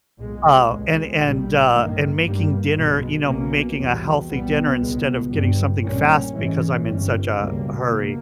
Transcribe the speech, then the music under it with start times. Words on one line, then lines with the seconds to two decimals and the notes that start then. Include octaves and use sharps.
uh, and and, uh, and making dinner, you know, making a healthy dinner instead of getting something fast because I'm in such a hurry.
0.20 B1 A#2 G#3
0.70 C#2 B2 G#3
1.22 A#1 A#2 G3
1.73 G2 D#3 A#3
2.24 G2 G3 A#3
2.75 B1 B2 G#3
3.27 B1 B2 A#3 C#4
3.78 E2 B2 G3
4.30 B1 A#2 G3 B3
4.81 C#2 B2 G#3 B3
5.31 G1 G2 G3
5.83 A#1 A#2 G3 A#3 C#4
6.34 G#2 E3 G#3 C#4
6.86 G1 G2 G3 C#4
7.37 C#2 B2 G3 A#3
7.88 B2 A#3